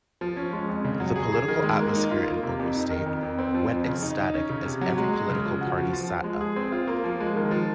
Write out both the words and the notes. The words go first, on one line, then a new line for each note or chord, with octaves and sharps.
The political atmosphere in Ogun State went ecstatic as every political party sat up.
F3
C#4
G#3
F2
C#3
F#3
G#4
G#4
D#3
G#3
A#3
D#4
F4
A#3
C3
F2
D#4
D#3
F2
F2
C4
F3
F2
C#3
D#4
D#4
C#4
C#3
C3
F#3
G#3
G#3
C#3
F3
F#4
F3
F3
F3
G#3
G#4
C4
F4
A#3
F3
G#3
D#3
F3